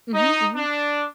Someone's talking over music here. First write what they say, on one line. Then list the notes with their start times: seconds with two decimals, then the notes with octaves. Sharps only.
Mhm, mhm.
0.14 D#4
0.55 D4